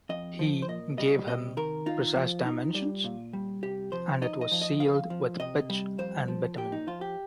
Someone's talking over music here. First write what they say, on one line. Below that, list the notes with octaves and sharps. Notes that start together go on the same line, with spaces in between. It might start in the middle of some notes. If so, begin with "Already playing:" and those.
He gave him precise dimensions, and it was sealed with pitch and bitumen.
F2 D#5
F3
C5
A#2 D#5
G3 D#5
C3 D#5
D#3 A#4
D#4 F4
F3
D#4
G3
A#2
G3
C3 G4
F3 C5
D#4 D#5
D#5
F3
D#5
F2 F5
F3
C3 D#5
G3
F2 C5
F3
A#2 G4
D#4
F3 F4
G4